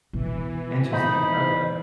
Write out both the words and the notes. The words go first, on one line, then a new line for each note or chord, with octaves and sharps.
Interesting, okay.
B2 E3
D#4 C5 B5